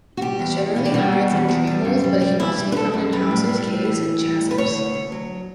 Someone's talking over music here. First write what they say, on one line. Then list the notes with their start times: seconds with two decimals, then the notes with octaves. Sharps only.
It generally hides in tree holes, but it can also be found in houses, caves and chasms.
0.17 F#4
0.21 G3 G4
0.39 E2
0.58 E2
0.76 B2
0.85 G4
0.94 G3 F#4
1.13 B2
1.30 E2
1.48 E2
1.67 G3
1.85 F#2
2.04 G3
2.21 G3
2.39 G3 E4
2.58 G3
2.72 B4
2.76 G3 A4
2.94 F#2
3.13 G3 B4
3.31 A2
3.49 G3
3.67 A2
3.85 E3
4.03 E3
4.21 G3
4.39 A2
4.51 B4
4.58 D2 C#5
4.75 D2
4.95 D2
5.12 F#3